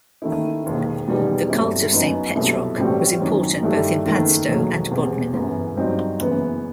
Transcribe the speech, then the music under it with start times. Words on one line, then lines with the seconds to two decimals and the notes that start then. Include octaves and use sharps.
The cult of Saint Petroc was important both in Padstow and Bodmin.
0.22 D#2 D#3 A3 E4
0.64 E1 D#2 D#3
1.07 E1 E2 D#3 G3 B3
1.50 G2 F#3 A3 C4 E4
1.93 F#2 F#3 B3 D#4
2.35 C2 B2 F#3 A3 E4
2.78 A2 E3 G3 C4 F#4
3.20 F#2 D#3 F#3 C4
3.63 G2 D#3 A3 E4 G4
4.05 F#1 E2 D#3 A3
4.48 E1 D#2 D#3 F#3 A3
4.91 E1 E2 C3
5.33 G1 F#2 E3 B3
5.76 G2 F#3 C4 D#4
6.18 F#1 F#2 E3 B3